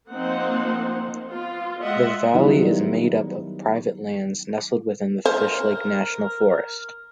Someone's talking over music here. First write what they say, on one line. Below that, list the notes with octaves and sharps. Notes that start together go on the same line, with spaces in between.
The valley is made up of private lands nestled within the Fishlake National Forest.
F3 A#3 C4 D#4 C5 F#5
B3 F4
G#3 F4 D#5 E5 F#5
D#3 F#3 G3 B3 D#4 E4
A#4 C5